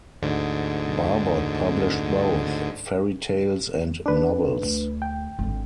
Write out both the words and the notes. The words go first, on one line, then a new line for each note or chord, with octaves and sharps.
Barbot published both fairy tales and novels.
D2 G#2 D3
D4 B4
D2
G5
G#1 D3